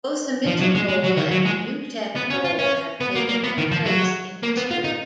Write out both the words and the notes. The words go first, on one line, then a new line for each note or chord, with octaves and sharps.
Both the Mitchell Bowl and the Uteck Bowl have taken their place in history.
F3
F#3
G#3
G#3
F#3
D#3
F#3
G#3
B3
C#4
F4
C#4
B3
A#3
A#3
B3
D#3
F3
F#3
A#3
B3
F4
D#4